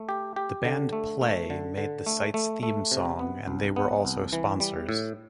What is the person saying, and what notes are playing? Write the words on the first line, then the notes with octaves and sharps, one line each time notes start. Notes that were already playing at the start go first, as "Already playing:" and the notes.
The band Play made the site's theme song and they were also sponsors.
Already playing: A3
G4
G4
D3
A3
A3
D3
D3
A3
A3
A3
C3
B3
C2
B3
C2
E3
G3
A2